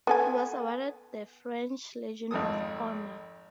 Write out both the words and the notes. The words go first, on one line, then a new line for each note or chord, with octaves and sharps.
He was awarded the French Legion of Honour.
B3 A4 G#5
G#1 F2 A4 D#6